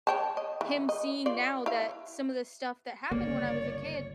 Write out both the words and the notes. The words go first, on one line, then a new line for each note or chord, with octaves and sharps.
him seeing now that some of the stuff that happened when I was a kid
C#5 G5 A5
D#5
E3
D#5
F4 D5
E4 F5
G1 C#2 A#3 C#5 D5